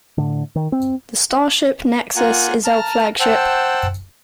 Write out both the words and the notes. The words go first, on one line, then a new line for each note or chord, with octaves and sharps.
The starship nexus is our flagship.
A2 D3
D#3
C4
A#3 F4 F#5 G#5 A#5
A5 A#5 F6
C5 F#5 G5 A5 E6